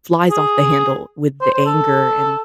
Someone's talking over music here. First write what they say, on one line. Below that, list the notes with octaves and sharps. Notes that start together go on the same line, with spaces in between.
flies off the handle with the anger. And,
G#4
C5
C5
A4